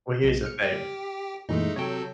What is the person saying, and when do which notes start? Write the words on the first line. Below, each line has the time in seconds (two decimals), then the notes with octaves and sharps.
Well, here's the thing
0.24 B1 B2
0.43 F6 C#7
0.62 G4
1.49 F#2 A#2 E3 G#3 A3 D#4
1.76 C3 F#3 A4 C#5 G5